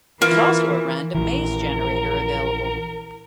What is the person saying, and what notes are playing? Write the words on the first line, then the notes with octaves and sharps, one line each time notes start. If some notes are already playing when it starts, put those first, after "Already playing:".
There's also a random maze generator available.
E3 A#3 F4
A#1 E3 A#4